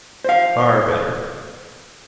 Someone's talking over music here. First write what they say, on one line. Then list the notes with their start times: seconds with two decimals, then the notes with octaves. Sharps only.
Far better.
0.24 C5 F5